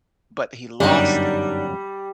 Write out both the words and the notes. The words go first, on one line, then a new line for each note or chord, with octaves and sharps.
but he lost it
G1 F#2 F#3 G3 D4 D#4